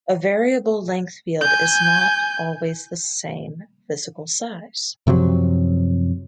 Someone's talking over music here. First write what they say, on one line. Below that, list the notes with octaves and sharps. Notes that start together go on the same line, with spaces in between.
A variable length field is not always the same physical size.
G#5 G6
F#2 C3 F3 F#3